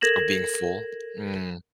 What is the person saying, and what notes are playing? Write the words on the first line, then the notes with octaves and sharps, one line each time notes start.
Oh, being full? Mm.
A4 A#4 G#6 A#6 E7 F#7